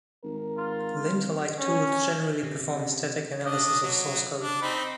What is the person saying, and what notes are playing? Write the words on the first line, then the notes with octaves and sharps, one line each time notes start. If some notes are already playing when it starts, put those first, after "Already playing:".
Lint-like tools generally perform static analysis of source code.
G#1 A#4
F4
C#4
C3
D4 D#5
F#3
D4
C4 D#4 B5